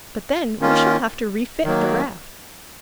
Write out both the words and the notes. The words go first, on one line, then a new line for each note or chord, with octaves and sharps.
"But then we shall have to refit the raft."
D#3 A#3 C#4 F4
D#3 F#3 A#3